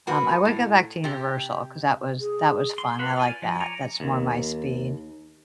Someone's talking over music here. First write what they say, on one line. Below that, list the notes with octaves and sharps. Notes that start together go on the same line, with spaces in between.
Um, I would go back to Universal 'cause that was that was fun, I liked that, that's more my speed.
A#3 F#4 B4
A2
C3 G4
G#4
C6
F#4 B4 F5
F4 D5 G#5
F3
C#5 D5 G#5 A#5
D#2